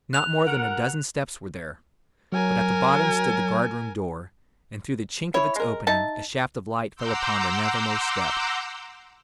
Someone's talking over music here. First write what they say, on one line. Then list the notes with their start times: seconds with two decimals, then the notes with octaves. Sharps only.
Not more than a dozen steps were there; but at the bottom stood the guardroom door, and through the chink of its opening a shaft of light fell upon the nethermost step.
0.13 F#6 F7
0.47 D2 A#4 F#5
2.32 F#3 A#4 G#5
5.34 E4 C#5
5.56 G#3 A#4
5.87 D#4 E5 A5
6.96 F#5 A#5 C6 D6 E6 G6